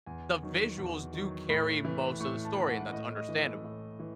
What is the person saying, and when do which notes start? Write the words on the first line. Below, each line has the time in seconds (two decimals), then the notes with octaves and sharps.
the visuals do carry most of the story, and that's understandable.
0.06 E2 G#5
0.43 D#3 F#3
0.78 E2
1.14 D#3 F#3
1.49 A2 B5
1.85 E3
2.20 A2 C#6
2.45 A5
2.57 E3
2.68 F#5
2.92 A2 D#5
3.17 D#5
3.29 E3
3.41 A4
3.64 A2 A4
4.00 E3